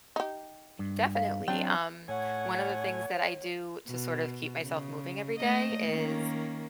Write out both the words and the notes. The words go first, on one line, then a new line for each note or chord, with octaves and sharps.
Definitely, um, one of the things that I do to sort of keep myself moving every day is
D#4 G4
G2
F5
F#3 C4 D4 G5
A2 C#5 F#5 G#5
B2
C#3
A3 A#3 D#5
D#3 A#3 C#4